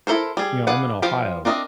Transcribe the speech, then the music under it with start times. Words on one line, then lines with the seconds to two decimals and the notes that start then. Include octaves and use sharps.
you know, I'm in Ohio.
0.07 E4 A4 A#4 C5
0.37 G3 G#4
0.67 G#4 B4 D5 F5 F#5
1.02 F3 C5 F5 G5 B5
1.45 C4 D4 A#4 D#5 E5